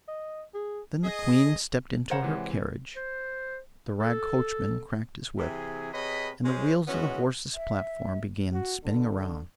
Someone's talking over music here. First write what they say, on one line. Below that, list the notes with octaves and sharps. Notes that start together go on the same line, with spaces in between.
Then the Queen stepped into her carriage, the rag coachman cracked his whip, and the wheels of the horses' platform began spinning around.
D#5
G#4
G#4 D#5
A#4 C5 C#5 F#5 A#5 E7
C3 E3 G#3
C5
A4
C3 E3 G#4
C3 G#4 B4 C#5 D#5 B5
G#3 C#4 C5
E3 G#3 B3 C#4 F#4
E5
F#4
D3